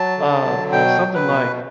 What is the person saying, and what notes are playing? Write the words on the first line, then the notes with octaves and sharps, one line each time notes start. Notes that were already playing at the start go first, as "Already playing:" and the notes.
uh, something like,
Already playing: F#3 A5
D3
F#3
B2 G5
F#3
B4
B2